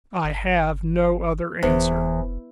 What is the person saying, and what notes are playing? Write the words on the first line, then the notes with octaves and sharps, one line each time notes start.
"I have no other answer."
G1
F1 E2 C5